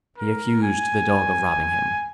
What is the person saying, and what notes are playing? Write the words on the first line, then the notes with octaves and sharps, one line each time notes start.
He accused the dog of robbing him.
A#4
G#5